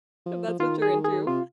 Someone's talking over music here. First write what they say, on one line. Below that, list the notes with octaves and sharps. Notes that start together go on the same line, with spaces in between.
if that's what you're into.
F3
F3
D#3 F4
G#4
D#3
G#4
C3 F4